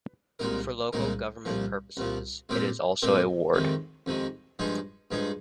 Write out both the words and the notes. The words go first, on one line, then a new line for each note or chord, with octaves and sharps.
For local government purposes, it is also a ward.
C2 A#2 G#3 D#4 A#4
C2 A#2 G#3 D#4 A#4
C2 A#2 F3
C2 A#2 F3
A#2 G#3 C4 G4 A#4
A#2 G#3 C4 G4 A#4
F2 C3 D#3 G#3
F2 C3 D#3 G#3
G2 F3 G#3 D#4 G#4
G2 F3 G#3 D#4 G#4